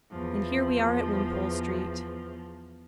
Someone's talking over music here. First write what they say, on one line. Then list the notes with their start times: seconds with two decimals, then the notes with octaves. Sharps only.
And here we are at Wimpole Street.
0.12 E2 F3